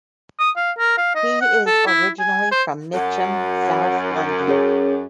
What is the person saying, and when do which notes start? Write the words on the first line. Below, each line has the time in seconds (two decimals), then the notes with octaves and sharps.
He is originally from Mitcham, South London.
0.40 D#6
0.57 F5
0.78 A#4
0.98 F5
1.15 D#5
1.41 F#5
1.66 A4
1.87 E4
2.20 G#5
2.52 C5
2.94 F#2 F#5
4.48 C#4 G#4 C#5